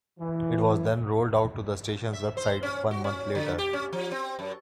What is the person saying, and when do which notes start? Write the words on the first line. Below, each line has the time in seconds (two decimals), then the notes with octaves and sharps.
It was then rolled out to the station's website one month later.
0.20 E3
2.13 E5
2.37 C5
2.63 C#4
2.91 F#4
3.04 C#4
3.35 D3
3.58 G4
3.73 C#4
3.93 F3
4.12 C4
4.39 F#2